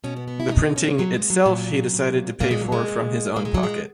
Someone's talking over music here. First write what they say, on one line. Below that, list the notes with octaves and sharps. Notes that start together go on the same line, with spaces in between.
The printing itself he decided to pay for from his own pocket.
B2 C#4
B3
B3
E4
B2 D#4
C#4
A#2 F#3
G#3
F#3
A#2
A#2
A#2 A#3
G#3
F#3
G#3
A#2
A#2 A#3
G#3
F#3
G#3